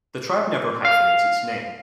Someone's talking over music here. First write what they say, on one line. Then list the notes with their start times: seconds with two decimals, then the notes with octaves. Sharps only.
The tribe never hyphenates its name.
0.85 F5